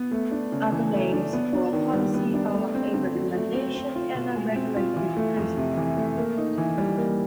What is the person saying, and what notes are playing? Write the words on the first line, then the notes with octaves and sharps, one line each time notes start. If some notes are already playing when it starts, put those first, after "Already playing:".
Other names for a policy are a "recommendation" and a "regulative principle".
Already playing: B3
A3
D4
C#3
E3
A3
D4
B3
D4
D#3
G3
B3
D4
A3
C4
D3
F#3
A3
C4
C4
F4
B2
G#3
C4
F4
E3
A3
F2
C3
E3
A3
A#3
D#4
E3
G3
A#3